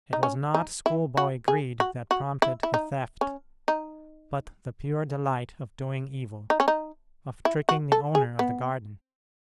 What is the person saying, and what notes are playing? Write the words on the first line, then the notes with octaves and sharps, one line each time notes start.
It was not schoolboy greed that prompted the theft, but the pure delight of doing evil, of tricking the owner of the garden.
D#4
C#4
D#4
E4
F#4
G#4
F#4
F#4
E4
E4
D#4
C#4
D#4
D#4
C#4
D#4
E4
F#4
A4
G#4
B3